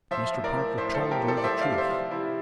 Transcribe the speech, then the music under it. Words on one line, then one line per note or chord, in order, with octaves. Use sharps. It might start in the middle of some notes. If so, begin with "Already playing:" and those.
Mr. Parker told you the truth.
F3 C5 E5
A2
A#4 D5
F3
A2 C5 E5
A4 C5
F3
G4 A#4
A2
A4 C5
D5
F3 C5 E5
D5 F5
C3
F5
C5 E5
F3
C3 E4